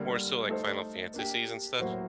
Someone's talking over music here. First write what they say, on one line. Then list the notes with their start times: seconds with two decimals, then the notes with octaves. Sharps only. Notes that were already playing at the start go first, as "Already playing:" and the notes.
more, so, like, Final Fantasies and stuff.
Already playing: D3 G3 A#3
0.49 A3 D#4 A4 C5
1.14 A#3 D4 G4
1.79 A2 F#3 A#3 F#4 C5